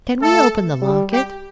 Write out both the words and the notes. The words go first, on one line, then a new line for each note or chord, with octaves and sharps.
Can we open the locket?
A3 A4
G3
G4